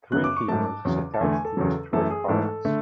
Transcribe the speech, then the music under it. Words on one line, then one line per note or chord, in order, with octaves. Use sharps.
Three heroes set out to destroy Korax.
F#2 C#3 F#3 B3 F#6
D6
C#6
G#2 F#3 A3 A5
E2 C#3 F#3
A5
E2 D3 A3 G#5
G#5
A4
E2 C#3 F#3
F#2 E3 A3 A4
G#4
G#2 E3 A3 A4
D3 A3